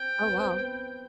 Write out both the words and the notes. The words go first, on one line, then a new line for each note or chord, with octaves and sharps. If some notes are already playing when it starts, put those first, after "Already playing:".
Oh, wow.
Already playing: C4 G5
B3 B4
C4 C5